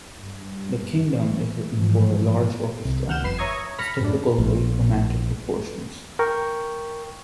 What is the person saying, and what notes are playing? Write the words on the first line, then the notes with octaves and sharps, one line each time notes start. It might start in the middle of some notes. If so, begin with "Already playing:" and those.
"The Kingdom" is written for a large orchestra, of typical late Romantic proportions.
G2
E3
G#2 E3 F3
C2 C3
C#2 D#3 F#5 F6 G6 E7
G1 F2 B4 C7 E7
C#5 E5 A#5 C#6 D#6 G#6
B5 F6 A#6 C#7
F#2 A2 A3 D4
A#1
A#4 G5 C#6